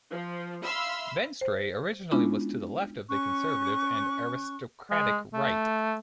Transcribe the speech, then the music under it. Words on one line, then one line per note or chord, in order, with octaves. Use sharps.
Venstre originally was to the left of the conservative and aristocratic right.
F3
E5 F5 B5 C6 E6 F6
C5
G#3 B3 C#4 D4 E4 F4
C#4 C#6 F#6
G#3
A3